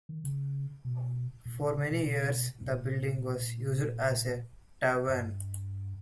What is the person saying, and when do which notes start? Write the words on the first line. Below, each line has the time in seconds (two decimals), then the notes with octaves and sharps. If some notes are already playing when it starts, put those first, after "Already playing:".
For many years the building was used as a tavern.
0.09 D#3
0.24 C#3
0.85 B2
1.45 A#2
1.60 A#2
1.75 C#3
1.91 B2
2.06 B2
2.62 G#2
2.66 A#2
5.09 G2